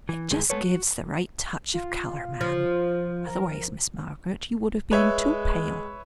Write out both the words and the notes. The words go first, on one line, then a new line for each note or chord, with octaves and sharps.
It just gives the right touch of colour, ma'am. Otherwise, Miss Margaret, you would have been too pale.'
E3
C#2 G2 D#3 G#3 G#4
G#3 A3 B3 A4 B4 C#5
F#4
F4
F3
A#4
G#3 B4 C#5 E5